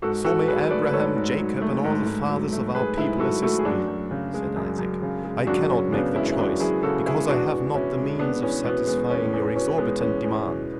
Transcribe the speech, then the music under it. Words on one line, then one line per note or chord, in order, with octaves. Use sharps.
"So may Abraham, Jacob, and all the fathers of our people assist me," said Isaac, "I cannot make the choice, because I have not the means of satisfying your exorbitant demand!"
G#2 F#4 A4
G#2 F#4 A4
F#3 G#4 B4
A3 B4 D5
B4
G#2 A4 C#5
G#2
F#3
A3
G#2
G#2
F#3
A3
G#2 G#4 B4
G#2 E4 G#4
F#3 F#4 A4
A3 F#4 A4
G#4
F#2 D4 F#4
F#2
C#3
G#3
F#2
F#2
C#3
G#3
F#2 D4 F#4
F#2 C#4
C#3 B3 D4
G#3 C#4 E4
E4
F#2 D4 F#4
F#2 E4 G#4
C#3 F#4 A4
G#3 E4 G#4
E2 D4 F#4
E2
B2 C#4 E4
G#3
E2 B3 D4
E2 C#4
B2 B3
G#3 B3
E2 C#4
E2
B2 C#4
G#3 B3
E2 C#4
E2
B2